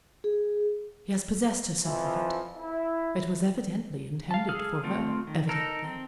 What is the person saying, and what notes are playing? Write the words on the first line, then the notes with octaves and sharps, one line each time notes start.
She has possessed herself of it; it was evidently intended for her--evidently.
G#4
F2 E3 F3
E4
F5 A5
G#4 A4 F5 F6
A3 C4 F4
D#3
D#4 A4 A#4
C4